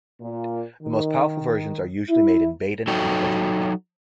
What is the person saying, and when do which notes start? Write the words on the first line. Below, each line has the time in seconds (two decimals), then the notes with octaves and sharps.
The most powerful versions are usually made in Baden and Palatinate.
0.22 A#2
0.83 D#3
2.10 E4
2.88 F#3 D#4 F#4 A4 C#5 G5